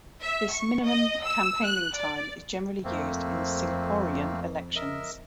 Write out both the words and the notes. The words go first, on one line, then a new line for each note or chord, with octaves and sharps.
This minimum campaigning time is generally used in Singaporean elections.
E5
C#6
D#5
E6
F#6
D5
F2 A3 A#3 C4
A#4 D#5 E5